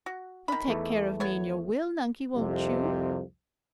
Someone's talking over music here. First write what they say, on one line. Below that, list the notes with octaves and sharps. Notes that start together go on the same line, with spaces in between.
You'll take care of me in your will, Nunkie, won't you?
F#4
D#3 B5
E2 E3 A3
B3 C#5
C2 F2 C3